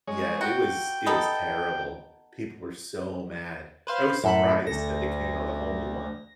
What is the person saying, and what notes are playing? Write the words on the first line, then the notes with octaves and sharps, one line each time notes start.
yeah, it was it was terrible. People were so mad. I was surprised that they came out with a whole new one.
G#3 C#5
F#4 G5
B3 D#4 A4
B4 C5 F5
F#2 A2 A4 B5
D2 A4 A#6